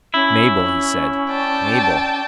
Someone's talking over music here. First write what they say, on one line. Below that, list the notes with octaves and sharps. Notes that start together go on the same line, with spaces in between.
"Mabel," he said, "Mabel."
C#4 E4
D5 G5 A5